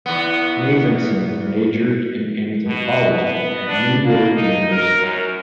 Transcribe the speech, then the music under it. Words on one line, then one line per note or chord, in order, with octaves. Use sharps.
Nathanson majored in anthropology at New York University.
E2 B3
B2
B3
D4
A#3
D#4
A#4
F#2